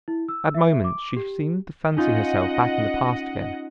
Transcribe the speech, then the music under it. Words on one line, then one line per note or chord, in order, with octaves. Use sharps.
At moments she seemed to fancy herself back in the past again.
E4
E6
E5
D6
G4
C#4 D#4 F4 D#5 F#5